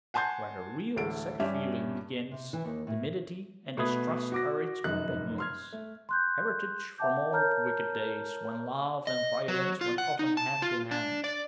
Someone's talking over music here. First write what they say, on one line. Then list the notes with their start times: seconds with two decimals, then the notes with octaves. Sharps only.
Where the real sex feeling begins, timidity and distrust are its companions, heritage from old wicked days when love and violence went often hand in hand.
0.14 F#5 G#5 A5 C6 G6
0.96 A1 D2 A4 D7
1.40 G2 C#4 G4 E5
2.31 C3
2.53 E3
2.64 D#2
2.87 A2
3.77 B2 A3 B4 D#6 G#6
4.32 F#4 D6 A#6
4.84 F1 F#2 D#4 F#6
5.38 C6 F6 G#6
5.72 A3
6.09 C6 F#6 G6
6.98 E5 F#5 G5 A5 D6 G6
7.31 A#4 C#5 A5 A#5 F6 G6
9.07 D#5
9.48 F#3
9.81 F4
9.98 F#5
10.19 D#4
10.37 A5
10.62 F4
10.91 D4
11.24 D5